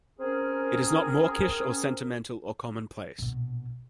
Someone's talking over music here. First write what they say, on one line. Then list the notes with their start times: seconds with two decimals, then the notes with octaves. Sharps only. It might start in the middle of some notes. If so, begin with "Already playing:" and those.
It is not mawkish or sentimental or commonplace.
0.19 C4 C#4 G#4 A#4
3.18 A#1 B2